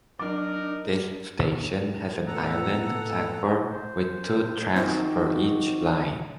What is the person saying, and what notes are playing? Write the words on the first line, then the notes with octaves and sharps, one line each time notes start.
This station has an island platform with two tracks for each line.
F#3 D4 D#4 A#4 D6
A2 B3 A4 F#5 A#5
C5
D#3 F3 C4 F#4 G4